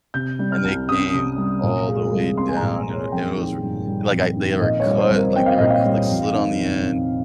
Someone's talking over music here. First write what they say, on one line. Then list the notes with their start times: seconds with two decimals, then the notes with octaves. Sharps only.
and they came all the way down, and it was ri like, I they were cut, like, they were c like, slid on the end,
0.14 C3 G6
0.39 G3
0.52 F6
0.64 C2
0.88 C#4 D#6
1.14 C3
1.38 G3
1.63 A#2
1.88 G#3
2.13 C2
2.37 C4 C6
2.48 G#5
2.57 A#5
2.62 A#2
2.75 G#5
2.87 G#3
2.93 C#5
3.12 F2 G5
3.37 D#3
3.62 G1
3.87 G3
4.11 F2
4.36 D#3
4.61 A#2 D#5
4.80 C#5
4.85 G3
4.91 C#5
4.98 C5
5.10 C2
5.16 A#4
5.36 C4 G5
5.46 F5
5.58 A#2 D#5
5.69 F5
5.85 G3
6.09 F2
6.35 D#3
6.59 F1
6.84 F1